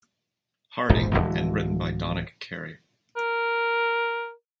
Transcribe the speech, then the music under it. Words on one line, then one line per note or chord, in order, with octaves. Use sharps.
Harding and written by Donick Cary.
E1 A#1 G#2 F3
D1 G#1 E3 G#3
A#4